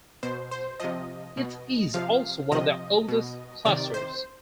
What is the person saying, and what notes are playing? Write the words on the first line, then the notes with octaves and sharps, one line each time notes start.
It is also one of the oldest clusters.
B2 C5
C5
C3 F3 D#5
B2
C3 F3 F5
C3 F3 D#5
B2
C3 D#3 D5
C5